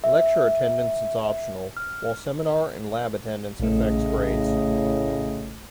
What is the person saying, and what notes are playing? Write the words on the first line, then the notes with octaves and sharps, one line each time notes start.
Lecture attendance is optional, while seminar and lab attendance affects grades.
E5
F6
A#1 A2 C#3 A3 D#5